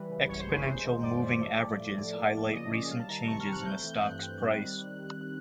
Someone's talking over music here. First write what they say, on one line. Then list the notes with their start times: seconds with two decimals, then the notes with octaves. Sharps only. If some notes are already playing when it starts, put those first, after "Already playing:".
Exponential moving averages highlight recent changes in a stock's price.
Already playing: E3 G3 B4
0.10 C#3
0.28 F#2 C#5
0.40 C5
0.47 G#3 B4
0.63 G#3 C5
0.84 D#3
1.03 F#2 D5
1.22 F#2
1.40 A3
1.59 F3
1.78 A2
1.96 A2
2.15 A#3
2.34 F3
2.53 C#3 D#5
2.71 C#4
2.90 G3 F5
3.00 A5
3.09 D#3 A#5
3.28 C3 C#6
3.40 F6
3.46 C4
3.53 F#6
3.65 A3 G6
3.83 E3 G6
3.94 F#6
4.03 G2
4.21 C4
4.40 G3
4.59 D#3